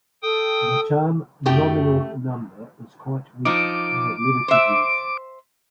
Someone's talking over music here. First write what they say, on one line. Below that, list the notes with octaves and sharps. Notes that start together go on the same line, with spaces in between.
The term "nominal number" is quite recent and of limited use.
A4 G5 D#6
F#2 A3 F#4 G4 G5
F3 D#4 D6
C5 E5